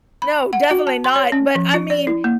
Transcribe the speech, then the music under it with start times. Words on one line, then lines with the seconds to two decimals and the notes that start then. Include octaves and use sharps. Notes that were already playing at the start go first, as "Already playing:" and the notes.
No, definitely not, but, I mean,
0.22 B5
0.53 F#5
0.71 F#4
0.87 A5
1.04 C6
1.16 C#5
1.32 C#4
1.55 F3
1.74 F4
1.90 D5
2.07 E4
2.24 A#3